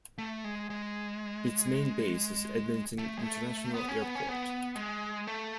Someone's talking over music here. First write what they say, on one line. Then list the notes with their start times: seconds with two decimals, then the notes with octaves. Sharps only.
Its main base is Edmonton International Airport.
0.18 A3
0.44 G#3
0.70 G#3
2.98 A3
3.18 G#3
3.23 A3
3.74 B3
3.88 C#4
4.02 B3
4.15 C#4
4.29 B3
4.76 G#3
5.27 A3